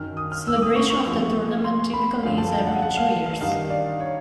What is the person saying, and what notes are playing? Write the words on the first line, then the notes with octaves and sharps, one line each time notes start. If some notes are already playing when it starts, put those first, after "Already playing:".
Celebration of the tournament typically is every two years.
Already playing: F#2 D#3 F6
D#6
F6
E6
D6
D#6
C#6
C#6
E2 C#3 F3
C6
B5
F#2 D3 F3 F5
A5
G5
F#5
F#5
F5
F5
G2 D#3 F5
D5
C#5